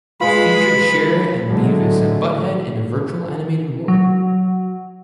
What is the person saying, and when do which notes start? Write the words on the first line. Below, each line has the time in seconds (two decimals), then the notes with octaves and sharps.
It featured Cher and Beavis and Butt-Head in a virtual animated world.
0.21 G#3 F4 G#4 B4 B5
1.47 A2 D3 F#3 G#3 A3
3.88 F#3